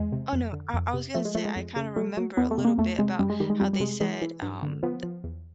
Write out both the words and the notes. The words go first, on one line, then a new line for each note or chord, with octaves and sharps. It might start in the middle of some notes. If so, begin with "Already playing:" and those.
Oh, no, I I was gonna say I kinda remember a little bit about how they said, um, th
Already playing: E2 G#3
C3
F2
D3
F2
C3
F3 A3
G#3
F3 A3
G#3
F2
C#3
F#3 A3
F#3
E2 B3
A3
C3
A#3
E2 A3
C3 G#3
F#2 G3
G#3
D#3 G3
G#3
F2 G3
G3
C3 G#3
E3 G#3
E3
G2
D3
F3 B3
F3
E2